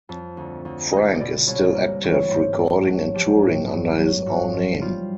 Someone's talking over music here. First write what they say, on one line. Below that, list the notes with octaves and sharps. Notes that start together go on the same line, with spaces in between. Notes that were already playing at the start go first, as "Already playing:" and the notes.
Frank is still active, recording and touring under his own name.
F2
D2
D2
G#3 D#5
D#5
B2 D5
C2 C#5
A#3
E3 C#5
G#2 C5
A3
F#3
F3 G4
A2
G2
F#3
G#2 F#4
F3
G3 F4